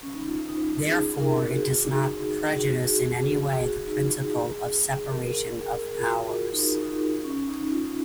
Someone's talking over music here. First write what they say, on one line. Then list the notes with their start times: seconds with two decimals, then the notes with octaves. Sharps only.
Therefore, it does not prejudice in any way the principle of separation of powers.
0.03 C#4
0.14 D#4
0.27 F4
0.31 D#4
0.49 D#4
0.62 D#4
0.67 F4
0.85 G#4
1.20 A#4
1.46 F#4
1.56 G#4
1.73 F#4
1.91 D#4
2.09 F#4
2.20 G#4
2.31 F#4
2.41 G#4
2.52 F#4
2.63 G#4
2.73 F#4
2.84 G#4
2.94 F#4
3.06 G#4
3.17 F#4
3.60 G#4
3.69 F#4
3.87 D#4
4.04 F4
4.22 G#4
5.11 A#4
5.77 A#4
5.83 G#4
5.99 F4
6.06 F#4
6.29 F4
6.53 D#4
6.82 D#4
6.88 F4
7.24 C#4
7.48 D#4
7.60 D#4
7.72 F4